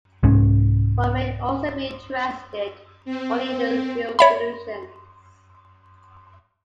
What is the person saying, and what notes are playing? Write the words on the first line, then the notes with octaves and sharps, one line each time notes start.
One may also be interested only in the real solutions.
C2 G#2 C#4
C4
C#5 E5 B5